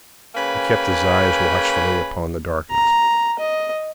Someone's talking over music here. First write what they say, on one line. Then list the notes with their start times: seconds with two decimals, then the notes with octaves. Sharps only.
He kept his eyes watchfully upon the darkness.
0.35 C#3 A#3 B4 G5 G#5
2.71 A#5
3.39 D#5